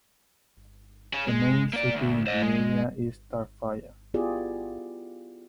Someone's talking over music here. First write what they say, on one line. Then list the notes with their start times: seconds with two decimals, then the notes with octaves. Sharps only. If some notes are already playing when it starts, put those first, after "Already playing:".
The main city in the area is Tarfaya.
1.13 G#4 C#5
1.28 G#3
1.73 A#3 D5
1.96 D2
2.27 C5 D#5
2.43 G#3
4.14 B3 E4 F4 G4 G#4 D5